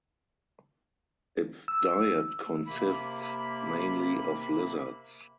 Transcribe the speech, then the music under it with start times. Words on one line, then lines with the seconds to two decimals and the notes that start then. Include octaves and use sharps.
Its diet consists mainly of lizards.
1.68 E6
2.67 C3 A#3 B5